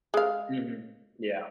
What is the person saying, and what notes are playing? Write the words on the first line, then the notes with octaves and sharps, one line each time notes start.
Mhm, yeah.
G#3 F5